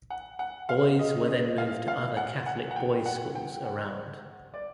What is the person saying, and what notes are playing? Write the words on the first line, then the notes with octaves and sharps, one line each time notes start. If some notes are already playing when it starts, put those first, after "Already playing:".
Boys were then moved to other catholic boys’ schools around.
F#5
F#5
F5
D#5
D#5
F5
F5
F#5
F#5
F#5
G5
F#5
G5
F#5
D5